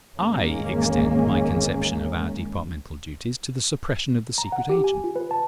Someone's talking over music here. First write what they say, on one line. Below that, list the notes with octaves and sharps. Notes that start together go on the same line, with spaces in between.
I extend my conception of our departmental duties to the suppression of the secret agent.
G#1 E2 G#3 A#3 C#4
A#5
F#5
G4
G#5
F4
B4
A5